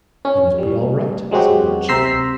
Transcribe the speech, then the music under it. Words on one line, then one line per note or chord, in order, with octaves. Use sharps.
"Then it'll be all right," said Lord Chiltern.
C#4
G3
F#3 G#3 C4 F#4 G4
C3 C5 A#5 E6 B6 C7